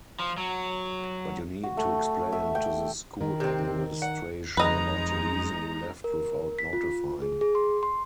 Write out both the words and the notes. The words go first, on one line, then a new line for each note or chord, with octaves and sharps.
But you need to explain to the school administration about the reason you left without notifying.
F3
F#3
F#4
A3
E5
G5
D#3
C3 C4
F#5
F2 G#3 D#4 B4 D#5 A#5
A#4
B6
F4
G#4
G#4
C6
C6